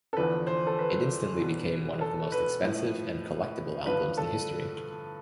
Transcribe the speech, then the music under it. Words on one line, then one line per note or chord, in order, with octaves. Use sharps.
It instantly became one of the most expensive and collectible albums in history.
A4
E2 D3 F3 B4
C5
A4
B4
E2 B2
A4
B4
A2 F3
G2 D3 F3 B4
A4